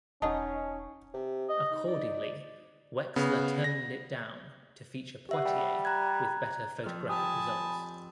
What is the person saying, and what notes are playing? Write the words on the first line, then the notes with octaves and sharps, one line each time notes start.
Accordingly, Wexler toned it down to feature Poitier with better photographic results.
E1 C#4 D#4 D#5 F#5 A5
C3
D#5
D#4
D5
C#3 B3
A#6
G4 E5 F#5
G3
A#5 F#6 G#6
F2 F6
G4 G#5 A5 B5 D#6